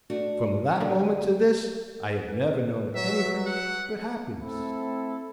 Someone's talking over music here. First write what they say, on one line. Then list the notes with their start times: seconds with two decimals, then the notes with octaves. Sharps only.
From that moment to this I have never known anything but happiness.
0.10 A3 D4 F#4
0.80 F#2 D3 F#3 G3 A#3
2.29 B4
2.95 F#3 E5
3.45 F#5
4.40 A3 C4 E4 A4